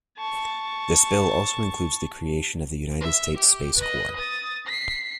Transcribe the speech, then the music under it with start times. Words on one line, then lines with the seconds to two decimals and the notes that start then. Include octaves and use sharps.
This bill also includes the creation of the United States Space Corps.
0.18 A5 C#6
3.01 E5
3.37 G4
3.76 B4 D#5
4.16 D#6 A6
4.67 B6 C7